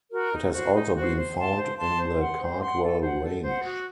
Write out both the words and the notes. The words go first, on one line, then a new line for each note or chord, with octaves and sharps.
It has also been found in the Cardwell Range.
F#4 A#4
D#4
F#4 C5
D#4
F#4 C5
C5
F5 A5 C6
C5
F5 A5 C6
C5
F#5 C6
C5
F#5 C6
A4
C5 F#5
A4
C5 F#5
F#4